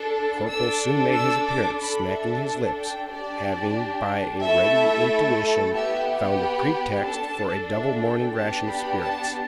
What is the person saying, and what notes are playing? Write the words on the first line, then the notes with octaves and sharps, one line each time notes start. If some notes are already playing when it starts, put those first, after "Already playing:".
The corporal soon made his appearance, smacking his lips, having, by a ready intuition, found a pretext for a double morning ration of spirits.
Already playing: D4 A4
D4 A4 E6
E6
D6
D4 A4 B5
E5
A5
G5
D4 G4 D5
A3 E4 A4 E5
B3 G4 E5
B5
D4 A4 A5
E5
G5
B3 D4 G4 A5
B5
A5